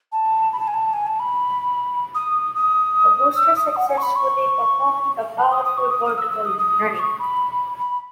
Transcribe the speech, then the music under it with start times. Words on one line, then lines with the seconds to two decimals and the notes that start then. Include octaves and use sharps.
The booster successfully performed a powered vertical landing.
0.12 A5
0.53 B5
0.59 A5
0.67 G#5
0.74 A5
0.93 G#5
1.06 A5
1.19 B5
2.15 D#6
2.55 D#6
3.36 E6
3.56 D#6
3.76 F#5
3.89 G#5
3.97 C#6
4.02 B5
4.16 C#6
5.37 A5
5.51 D#6
5.65 D#6
5.77 C#6
5.90 D#6
6.05 D#6
6.18 E6
6.31 E6
6.45 D#6
6.58 D#6
6.94 D#6
6.99 C#6
7.19 B5
7.79 B5